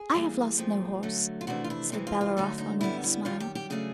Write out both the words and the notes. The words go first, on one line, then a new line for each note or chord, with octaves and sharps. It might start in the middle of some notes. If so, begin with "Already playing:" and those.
"I have lost no horse," said Bellerophon, with a smile.
Already playing: G#4
A2 E3 G3 A#3
A#2 F3 A3 C4
D3 F#3 A3
F4
F2 C3 E3 A3 D4 F#4
F4
E4
C3 E3 G#3 C4
F4
F4
D3 F#3 A3 D4 D#4
D#4
F#2 D3 G3 B3 E4
E4
F#2 D#3 G3 F4
G4
G4
C#3 F#3 A3 D4 G#4